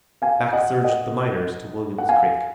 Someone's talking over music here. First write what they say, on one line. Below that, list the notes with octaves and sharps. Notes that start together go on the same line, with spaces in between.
Back surged the miners to William's Creek.
F5 G#5
D#5 F#5
D#5 F#5
F#5
F5 G#5